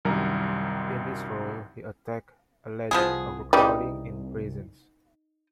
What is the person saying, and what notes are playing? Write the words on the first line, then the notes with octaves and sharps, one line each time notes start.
In this role, he attacked alleged overcrowding in prisons.
C2 F#2 D#3 G3 A#4 A#5
C2 F3 B3 G#4
C#3 E3 G3 D#4